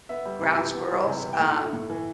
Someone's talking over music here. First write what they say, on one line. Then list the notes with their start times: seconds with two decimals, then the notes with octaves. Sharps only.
Ground squirrels, um,
0.09 B3 E5
0.25 G3
0.42 C3
0.59 E3
0.74 B3
0.91 G3
1.07 C3
1.23 E3
1.33 G5
1.40 A2 F#5
1.56 A3
1.73 A2
1.90 E3